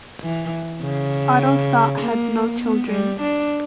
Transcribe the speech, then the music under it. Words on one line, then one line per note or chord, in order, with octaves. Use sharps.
Otto Thott had no children.
E3
C#3
A#3
B3
G3
D4